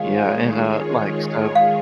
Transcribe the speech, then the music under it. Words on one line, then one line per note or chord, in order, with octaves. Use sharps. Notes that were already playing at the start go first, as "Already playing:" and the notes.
Yeah. And, uh like, so
Already playing: D#3 G#3 F4 G#4 C#5 F5
F5